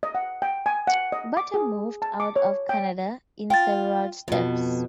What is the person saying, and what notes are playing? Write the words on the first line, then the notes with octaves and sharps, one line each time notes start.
Bata moved out of Canada in several steps.
D#5
F#5
G5
G#5
F#5
D#5
D6
G#4
A5
D6
C#5
G5
F4 G5 A6
F2 B2